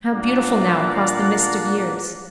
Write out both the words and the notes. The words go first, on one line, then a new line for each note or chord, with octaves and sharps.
How beautiful now across the mist of years!
A#2 D4 D5 F5 F#5 A#5